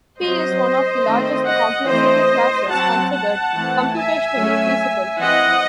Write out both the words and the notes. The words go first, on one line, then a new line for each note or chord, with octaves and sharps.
P is one of the largest complexity classes considered "computationally feasible".
F#3 C4 C5 D#5
D#3 A3 C4
D#5 F#5
E3 A3 C4 C5 D#5
F#3 C4 F#5 A5
F#5 A5
E3 A3 C4
E5 G#5
F#3 A3 C#4
E3 C4 D#5 F#5